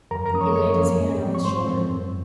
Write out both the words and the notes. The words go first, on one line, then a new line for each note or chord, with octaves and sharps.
He laid his hand on his shoulder.
F#2 A#4 A#5
A#4 A#5
F3 A#3 C#4 D#6
C#5 C#6
F#2 C#5 C#6
F3 A#3 C#4
G#2
F3 C4
C#6
G#2 C5 C6
F3 C4
F#2